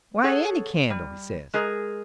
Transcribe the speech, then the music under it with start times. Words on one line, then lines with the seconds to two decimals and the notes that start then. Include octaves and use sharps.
"Why, any candle," he says.
0.24 G#4 A4 C#5 F#5
0.90 G3
1.54 G#3 G#4 A#4